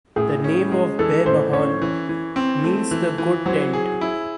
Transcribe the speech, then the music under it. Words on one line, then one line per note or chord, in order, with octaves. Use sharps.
The name of Behbahan means the "Good Tent".
A2 G#4
C#4
G#3
E3 A4
A2 C5
C#4 C#5
E3
E3
C4
A3
E3
E3
F#3 C5
G#4
E4